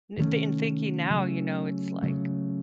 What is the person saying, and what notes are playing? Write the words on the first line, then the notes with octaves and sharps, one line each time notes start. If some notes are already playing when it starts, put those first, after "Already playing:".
N th in thinking now, you know, it's, like
C3 D#3 A3 C#4
C#3 F#3 A3
C#3 F#3 A3